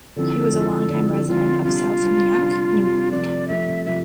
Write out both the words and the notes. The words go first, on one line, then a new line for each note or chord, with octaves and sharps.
He was a longtime resident of South Nyack, New York.
D3 F3 C4 E4 A4
D3 F3 C4 E4
D3 F3 C4 E4
D3 F3 C4 E4 F4
C3 G3 D4 F4
C3 G3 D4
C3 G3 D4
C3 G3 D4
C3 F3 A3 D5
C3 F3 A3 E5
C3 F3 A3 E5